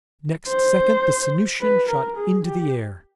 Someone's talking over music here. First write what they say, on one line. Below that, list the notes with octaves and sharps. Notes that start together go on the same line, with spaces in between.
Next second the Sanusian shot into the air.
C5
B4
A#4
G#4
G4